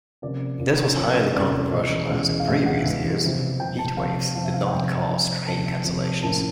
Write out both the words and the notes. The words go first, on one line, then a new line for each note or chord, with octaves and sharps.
This was highly controversial as, in previous years, 'heatwaves' did not cause train cancellations.
C3 F3 A#3 C#4 D5
C3 F3 A#3 C#4
C3 F3 A#3 C#4 C#5
C3 F3 A#3 C#4 D5
E2 B2 G#3 C#4 D#5
E2 B2 G#3 C#4
F5
E2 B2 G#3 C#4 E5
F#5
E2 B2 G#3 C#4
F2 C3 F3
F2 C3 F3 G5
A5
F2 C3 F3 F5
F2 C3 F3 F5
E5
F5
F#5
F2 C3 F3 G5
F2 C3 F3 G#5
F2 C3 F3 A5
F2 C3 F3
A2 F3 A#3 C#4 A5